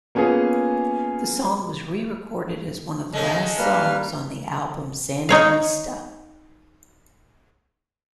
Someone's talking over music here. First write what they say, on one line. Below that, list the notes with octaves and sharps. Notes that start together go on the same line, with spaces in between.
The song was re-recorded as one of the last songs on the album Sandinista!
A#3 B3 C#4 F4 G#4
G#3 A3 C#4 D#5
G3 A#3 B4 F6
D#4 C#5 F5